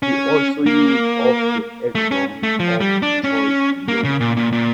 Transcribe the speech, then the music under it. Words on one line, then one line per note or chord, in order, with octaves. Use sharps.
See also use of the axiom of choice below.
C#4
A#3
A3
C#4
A3
F3
G3
D4
C#4
A#3
C#3
A#2
A#2
A#2